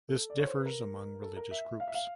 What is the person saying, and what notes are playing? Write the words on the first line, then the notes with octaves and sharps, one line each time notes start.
This differs among religious groups.
A4
D5
C#5
C5
B4
A#4
A4
A#4
E5
E5
F5
E5
F5